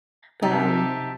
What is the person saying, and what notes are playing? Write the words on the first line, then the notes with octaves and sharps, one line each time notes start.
but, um,
C3 D#4 G4 E5 A5